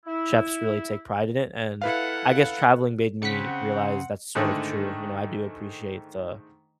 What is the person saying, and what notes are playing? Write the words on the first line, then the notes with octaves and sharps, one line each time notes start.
Chefs really take pride in it, and, I guess traveling made me realize that's sort of true, you know, I do appreciate the
E4
E4 A4 B4 F5 F#5
C#3 C4 F#5 B6 C#7
G#2 D3 D#3 A3